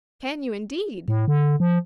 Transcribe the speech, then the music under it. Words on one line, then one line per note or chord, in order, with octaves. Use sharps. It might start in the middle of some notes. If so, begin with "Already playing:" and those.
"Can you, indeed!"
A2
D3
F3